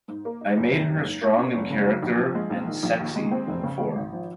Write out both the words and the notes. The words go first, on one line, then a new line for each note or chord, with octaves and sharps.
I made her strong in character and sexy in form.
G#2
A#3
D#4
F#1
C3
F#1
G#2
A#3
C#4
F#1
C#3
F#3
A#1
F3
G#3
A#1
D#3
A#1
D#2
G#3
C4
F1
C#3
G#3
G#1
F3